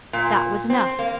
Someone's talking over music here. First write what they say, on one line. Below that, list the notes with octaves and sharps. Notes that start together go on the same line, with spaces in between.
That was enough.
A#2
C4
A#3